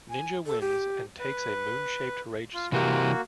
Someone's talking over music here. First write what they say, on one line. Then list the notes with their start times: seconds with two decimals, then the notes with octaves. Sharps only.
Ninja wins and takes a moon-shaped Rage Stone.
0.10 G#5
0.47 A4
0.61 G4
1.19 B4
2.54 F4
2.72 C3 E3 A#3 F#4 G4